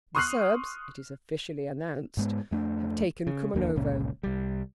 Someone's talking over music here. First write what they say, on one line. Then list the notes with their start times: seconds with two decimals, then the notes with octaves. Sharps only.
The Serbs, it is officially announced, have taken Kumanovo . . .
0.15 C6 C#6 D#6 F6 F#6 C7
2.17 G#2 G#3 B3
2.51 F2 A3 D4
3.27 C#3
3.54 F1 D#2 A#3 D4
3.76 G1 C#2 A#2 C#4
4.23 C2 G3